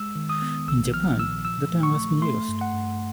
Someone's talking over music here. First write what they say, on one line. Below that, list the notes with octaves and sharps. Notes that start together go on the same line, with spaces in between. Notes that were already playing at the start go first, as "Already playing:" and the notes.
In Japan, the term has been used.
Already playing: G#3 E6
D#3
D#6
B3
A#1 E6
F3 F6
A#2 E6
F3 E6
A3
C#6
A3
A3 C6
G2
F#5
G2